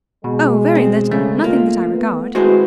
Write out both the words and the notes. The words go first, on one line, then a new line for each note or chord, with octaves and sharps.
"Oh! very little, Nothing that I regard."
B2 G#3
C4
C#3 A3
A#3 F4
B3
G#3 C4 E4 F#4 G#4 B4 C5